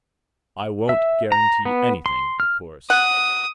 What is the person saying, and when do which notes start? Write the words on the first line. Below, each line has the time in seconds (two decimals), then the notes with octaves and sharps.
"I won't guarantee anything, of course...."
0.89 E5
1.32 A#5
1.65 B3
2.06 C6
2.40 F6
2.90 F#5 D#6